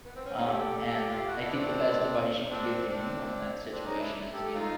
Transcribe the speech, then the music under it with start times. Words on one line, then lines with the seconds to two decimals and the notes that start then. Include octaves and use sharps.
Um, and I think the best advice you can give to anyone in that situation is, you know
0.05 B3
0.16 C4
0.26 C#4
0.36 C#4 D#4
0.46 G4 A4
0.87 G4 A4
1.07 F4 G4
1.28 E4 F#4
1.41 D4 E4
1.55 C4 D4
2.50 C4 D4
2.90 C4 D4
3.72 C4 D4
3.86 C#4 D#4
4.00 D4 E4
4.33 G4 A4
4.54 D#4 F4